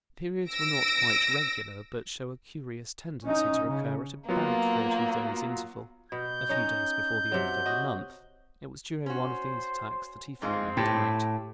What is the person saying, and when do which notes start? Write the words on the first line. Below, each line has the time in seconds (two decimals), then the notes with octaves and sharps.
The periods were not quite regular, but show a curious tendency to recur at about thirty days' interval, a few days before the end of every month; it was during one of these attacks that he finally died.
0.49 E6 A#6 D7
3.23 C#4 D#4
3.67 C#3 C#4
4.29 F#3 A#3 B3 F4
6.12 B2 G6
6.49 C#4 D#4 D#5
7.32 C3 F#3
7.66 F#4 D#5
9.06 C#4 F#4 C5
10.42 G#2 G#3 C4 F4
10.77 A2 G4